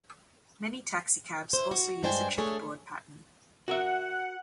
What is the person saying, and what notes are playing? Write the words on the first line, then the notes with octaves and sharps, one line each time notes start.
Many taxicabs also use a checkerboard pattern.
E4 C5
F#4
G2 G#3 D4 C5 G5 G#5
A3 D4 G#4 A4 C#5
F#4 A#4 E5 F#5